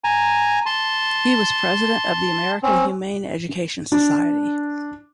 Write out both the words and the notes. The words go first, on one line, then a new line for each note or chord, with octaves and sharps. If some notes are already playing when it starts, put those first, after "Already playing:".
He was President of the American Humane Education Society.
G#5 A#5
A5 C6
C4 C#4
D4